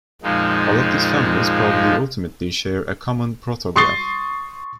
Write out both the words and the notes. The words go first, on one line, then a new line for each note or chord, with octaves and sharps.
All of these families probably ultimately share a common protograph.
F2 A#2 F3 G#3 D#4
C6 C#6 D#6 A6 C7 G7